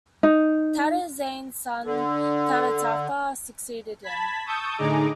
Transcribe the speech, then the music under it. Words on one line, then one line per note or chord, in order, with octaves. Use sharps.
Tadazane's son Tadataka succeeded him.
D#4
D3
A5 B5 G#6 B6
A5 C#6 D#6 E6 G6 A6
A2 D3 D#4 G#4 A#5 D6